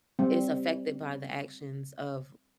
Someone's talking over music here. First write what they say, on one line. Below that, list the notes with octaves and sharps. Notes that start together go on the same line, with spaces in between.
is affected by the actions of
G3 C4